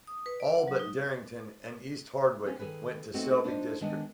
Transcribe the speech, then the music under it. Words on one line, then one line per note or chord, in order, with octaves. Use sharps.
All but Darrington and East Hardwick went to Selby district.
D#6
B4
D5
F#5
F#3
D#4
A#3 C4 C#4
D#3 G3 G#4 A4 B4
A3 B3 C4 D#4 F#4 A4
D4 D#4 F4 C5 D5 D#5
D#3 G#3 B3 D4 D#5